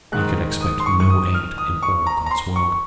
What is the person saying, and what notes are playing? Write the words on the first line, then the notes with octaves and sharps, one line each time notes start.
He could expect no aid in all God's world.
G#2 D#3 G#3 F#6
D#6
C6
C#6
C#6
D#6
F6
D#6
C#6
A#5
A#5
C6
C#6